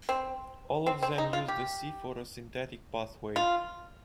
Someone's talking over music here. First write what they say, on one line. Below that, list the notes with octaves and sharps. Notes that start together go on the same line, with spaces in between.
All of them use the C photosynthetic pathway.
C4
C4
C4
D#4
F4
G4
F4